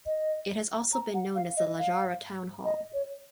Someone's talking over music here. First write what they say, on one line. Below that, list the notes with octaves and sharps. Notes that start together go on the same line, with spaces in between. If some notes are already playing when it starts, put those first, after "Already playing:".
It has also been known as the La Jara Town Hall.
D#5
A#5
F#5
F5
D#5
F5
D#5
C#5